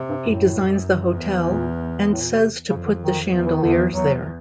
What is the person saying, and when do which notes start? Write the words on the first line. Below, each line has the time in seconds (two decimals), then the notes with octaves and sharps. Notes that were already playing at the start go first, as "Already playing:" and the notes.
He designs the hotel and says to put the chandeliers there.
Already playing: C3
0.09 G2
0.24 F#2 A2
0.55 F#2
1.16 E2
1.47 A#2
2.12 A2
2.22 A#2
2.31 B2
2.39 C3
2.70 F2 C#3
2.86 D3
3.01 D#3
3.32 E2
3.46 E3
3.55 D#3
3.63 E2 D3
3.93 E2 F#3